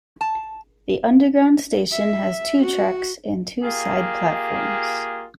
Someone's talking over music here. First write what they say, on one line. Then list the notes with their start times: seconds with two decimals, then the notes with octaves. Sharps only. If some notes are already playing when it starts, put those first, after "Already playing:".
The underground station has two tracks and two side platforms.
0.21 A5
1.91 E5
2.62 F#4
3.64 A#3 F4 G4 G#4